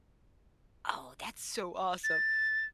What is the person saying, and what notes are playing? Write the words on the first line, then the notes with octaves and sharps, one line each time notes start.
Oh, that's so awesome.
A6